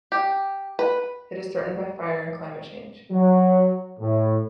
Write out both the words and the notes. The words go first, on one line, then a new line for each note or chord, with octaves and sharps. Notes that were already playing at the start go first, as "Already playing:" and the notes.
It is threatened by fire and climate change.
G4
B4
F#3
A2